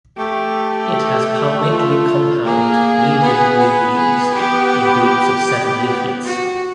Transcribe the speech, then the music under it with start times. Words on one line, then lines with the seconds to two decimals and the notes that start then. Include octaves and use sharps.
It has palmately compound medium green leaves in groups of seven leaflets.
0.18 A3 G4
1.69 F4
2.45 A#3 G#4
3.21 B3
3.59 B3
3.96 G#4
4.34 G4
5.47 B3
6.24 F#4